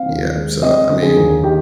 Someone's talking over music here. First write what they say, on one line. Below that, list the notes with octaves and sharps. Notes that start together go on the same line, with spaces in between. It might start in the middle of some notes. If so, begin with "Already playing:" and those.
yeah, so, I mean
Already playing: C4 F5
D#2
G#3
C4 D#5
D3
G#4
D#2
D#3 G4